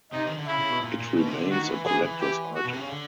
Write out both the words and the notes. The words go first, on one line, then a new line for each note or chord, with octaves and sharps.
It remains a collector's item.
C3 D#4
D#3
D3
C#3 E4
C#3
B2
A#2
A#2
B2
C3
D3
D#3 F#4
E3
E3 G#4
E3
G4
F#4
B2
C3
C#3
D3